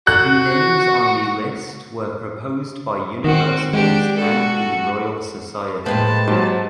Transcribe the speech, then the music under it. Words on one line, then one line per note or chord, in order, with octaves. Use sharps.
The names on the list were proposed by universities and the Royal Society.
F#4 F#6
D#3 C4 F#4
G#3 D4 G4
F#4 A4
A2 G#3 A#3 B4 C5 G5 A5
G#2 F#3 G4